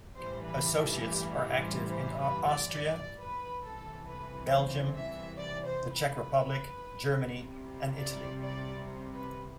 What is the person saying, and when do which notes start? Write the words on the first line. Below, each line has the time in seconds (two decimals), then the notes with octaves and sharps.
Associates are active in Austria, Belgium, the Czech Republic, Germany, and Italy.
0.17 A1 G2 E3 G3 C5
0.45 B4
0.75 A4
1.03 G4
1.33 F#4
1.61 C5
1.90 C5
2.20 B4
2.49 D5
2.78 D5
3.20 B4
3.64 C2 C3 E3 A4
4.07 B4
4.51 C5
4.95 E5
5.38 D5
5.67 C5
5.96 B4
7.11 C2 C3 G3
7.98 D5
8.42 D5
8.85 C5
9.14 B4